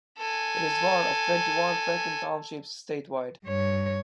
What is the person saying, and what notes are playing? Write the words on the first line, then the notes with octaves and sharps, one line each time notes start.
It is one of twenty-one Franklin Townships statewide.
A4 G#5
G2 C#5